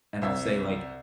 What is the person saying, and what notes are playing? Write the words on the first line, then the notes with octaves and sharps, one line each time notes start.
and I'll say, like,
C2 C4 E5 E6 G#6